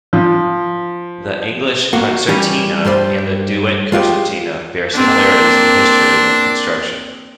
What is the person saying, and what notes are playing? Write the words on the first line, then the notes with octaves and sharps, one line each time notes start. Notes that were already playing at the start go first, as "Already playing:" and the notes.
The "English concertina" and the "Duet concertina" bear similarities in history and construction.
F3
A#3 F#4
E3 G3 C#4
G2 G3 C5 D5
G#3 F4 G4
A#3 C4 D4